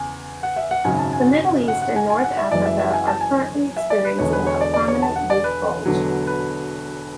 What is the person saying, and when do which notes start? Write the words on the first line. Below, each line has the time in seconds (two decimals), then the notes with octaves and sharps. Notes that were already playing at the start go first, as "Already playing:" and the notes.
The Middle East and North Africa are currently experiencing a prominent youth bulge.
Already playing: E2 C#3 G#5
0.43 F#5
0.56 E5
0.71 F#5
0.84 G#1 F#2 C#3 F#3 G#5
0.99 A5
1.13 G#5
1.68 F#5
1.82 F#5
1.96 G#5
2.10 G#5
2.24 F#5
2.37 E5
2.51 F#1 F#2 E3 G#3 D5
2.66 E5
2.79 E5
2.93 G#5
3.07 A5
3.21 G#5
3.77 E5
3.90 D5
4.05 B4
4.18 E1 E2 D3 G#3 C#5
4.33 B4
4.46 C#5
4.61 D5
4.74 D5
4.88 C#5
5.02 A5
5.16 F#5
5.30 D5
5.44 B4
5.85 E1 E2 D3 F#3
6.27 B4